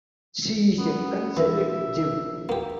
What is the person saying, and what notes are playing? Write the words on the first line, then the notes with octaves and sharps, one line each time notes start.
She is a Conservative Jew.
F#2 B3
A#1 E3 E5
A#3 G4